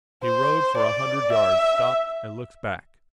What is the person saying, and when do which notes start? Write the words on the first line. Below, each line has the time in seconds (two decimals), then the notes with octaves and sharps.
He rode for a hundred yards, stopped and looked back.
0.23 C5
0.77 D5
1.33 E5